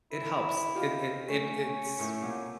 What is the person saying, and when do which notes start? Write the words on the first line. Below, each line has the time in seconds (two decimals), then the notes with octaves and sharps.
it helps. It it it it's
0.12 E4
0.75 D#4 F4 G4
1.29 A3 C#4
1.99 A2 A3 E4
2.22 C2 A#2